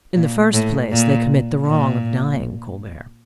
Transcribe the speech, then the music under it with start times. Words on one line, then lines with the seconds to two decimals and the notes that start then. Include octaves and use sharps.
"In the first place, they commit the wrong of dying, Colbert."
0.15 A#2
0.54 A2
0.91 A#2
1.65 A#2